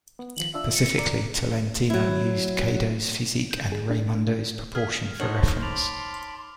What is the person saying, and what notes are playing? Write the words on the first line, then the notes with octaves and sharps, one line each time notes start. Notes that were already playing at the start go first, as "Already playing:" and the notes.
Specifically, Tolentino used Caedo's physique and Raymundo's proportion for reference.
B3
D#3 F3 F#7
D4 F4 E5 E6
C#7
D5 A#5
F#3 E4
G6
G#4
D4
A3
G#4 F6 B6
D#4 F#4 A4 C5 C#5 F#7
C6
A5 B5 D6 F7